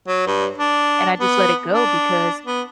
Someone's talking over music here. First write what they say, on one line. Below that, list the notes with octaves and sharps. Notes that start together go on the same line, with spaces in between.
And I just let it go because
F#3
G2
D4
B3
D4
B3